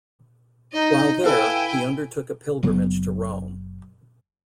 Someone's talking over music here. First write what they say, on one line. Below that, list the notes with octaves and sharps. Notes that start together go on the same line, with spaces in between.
While there, he undertook a pilgrimage to Rome.
D#4 D#5
E4 A4 B4 F5 G5 G#5
F#1 C#3 F#3 B3